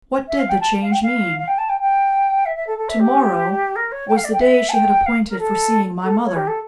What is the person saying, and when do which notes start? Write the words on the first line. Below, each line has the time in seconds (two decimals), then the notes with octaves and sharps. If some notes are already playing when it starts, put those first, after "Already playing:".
What did the change mean? "To-morrow" was the day she had appointed for seeing my mother.
0.28 E5
0.39 F5
0.49 G5
0.60 A5
0.82 F5
0.92 G5
1.03 F5
1.39 F5
1.47 G5
1.58 A5
1.69 G5
1.80 G5
2.45 E5
2.56 E5
2.67 A4
2.78 A4
2.89 E5
3.00 G4
3.76 A#4
3.92 C#5
4.08 G5
4.16 F5
4.24 D5
4.33 G5
4.40 E5
4.69 A5
4.73 G5
5.06 F5
5.28 A#4
5.39 A4
6.04 A4
6.25 C#5
6.36 G4
6.47 A4